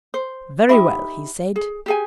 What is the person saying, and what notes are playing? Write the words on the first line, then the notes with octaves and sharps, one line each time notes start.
'Very well,' he said.
C5
D#4 G4 E5 B5
G#4
G4 G#4 G#5